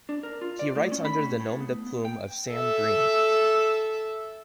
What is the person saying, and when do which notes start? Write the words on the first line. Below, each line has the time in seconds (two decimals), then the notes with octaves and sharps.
He writes under the nom-de-plume of Sam Green.
0.09 D4
0.23 A#4
0.41 F4
0.59 D5
0.75 A2
0.92 C#4
1.05 B5
1.18 A2
1.40 A2
1.60 B3
1.87 B3
2.05 G5
2.53 A4 E5